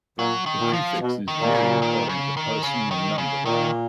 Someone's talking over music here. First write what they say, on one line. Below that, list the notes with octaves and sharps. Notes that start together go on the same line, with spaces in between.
The prefixes vary according to person and number.
A#2 F#3
D#3
A#2
F3
B2
D#3
A#2
C#3
D#3
C#3
D#3
C#3
D#3
C#3
A#2 D#3